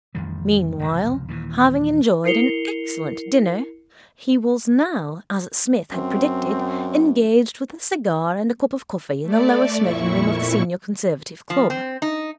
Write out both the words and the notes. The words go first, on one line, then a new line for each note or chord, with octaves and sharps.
Meanwhile, having enjoyed an excellent dinner, he was now, as Psmith had predicted, engaged with a cigar and a cup of coffee in the lower smoking-room of the Senior Conservative Club.
A1 F2 D#3 G3
F1 C#2 F#2
D#2 A#2 E3
E4 A#4 C7 C#7 F7 G7
F#2 C4
A3 D5
F2 A#2 E4 C#6
F3
C4
D#4